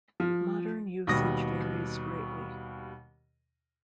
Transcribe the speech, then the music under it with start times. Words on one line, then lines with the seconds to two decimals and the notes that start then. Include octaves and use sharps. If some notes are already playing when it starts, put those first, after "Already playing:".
Modern usage varies greatly.
0.20 F3
1.07 D#2 B2 G3 D#6 A#6